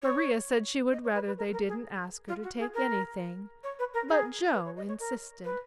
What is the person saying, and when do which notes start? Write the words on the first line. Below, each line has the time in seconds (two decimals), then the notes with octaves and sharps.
Maria said she would rather they didn't ask her to take anything: but Joe insisted.
0.03 C#5
0.93 D#5
1.04 C#5
1.15 B4
1.27 B4
1.38 A#4
1.53 A#4
1.68 G#4
2.28 F4
2.43 F#4
2.59 G#4
2.74 A#4
3.64 C#5
3.79 B4
3.94 A#4
4.09 G#4
4.54 B4
4.65 C#5
4.77 D#5
4.88 C#5
5.00 A#4
5.44 B4